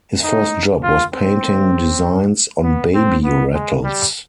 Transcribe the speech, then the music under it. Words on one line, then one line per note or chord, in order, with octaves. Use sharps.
His first job was painting designs on baby rattles.
D#4
F4
C4
B3
C4
B3
G#3
G3